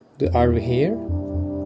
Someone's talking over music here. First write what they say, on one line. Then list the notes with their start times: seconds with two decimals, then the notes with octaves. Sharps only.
The Are We Here?
0.24 F2
0.33 E2 A#2 G3 A#3 E4
1.08 F2 C3 G3 D4
1.34 F2